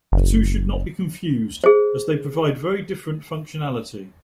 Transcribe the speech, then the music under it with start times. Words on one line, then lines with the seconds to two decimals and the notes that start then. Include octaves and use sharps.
The two should not be confused as they provide very different functionality.
0.12 F#1
1.64 G#4 C5